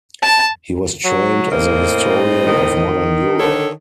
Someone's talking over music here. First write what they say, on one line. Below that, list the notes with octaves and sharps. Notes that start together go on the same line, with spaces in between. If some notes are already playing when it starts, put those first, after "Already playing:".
He was trained as a historian of modern Europe.
A5
F#3
A2 A#3 C4 D#5
D#3
D3 A4 C#5